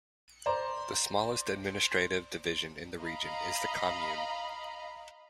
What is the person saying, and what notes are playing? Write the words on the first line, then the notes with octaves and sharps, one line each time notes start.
The smallest administrative division in the region is the commune.
C5 D5 A#5
D#5 F5 A#5 B5